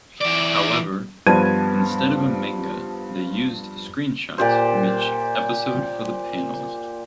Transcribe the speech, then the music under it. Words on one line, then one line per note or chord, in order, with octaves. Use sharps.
However, instead of a manga, they used screenshots from each episode for the panels.
E3 D5
G2 F3 B3 A5 G#6 D#7
A#2 G4 C5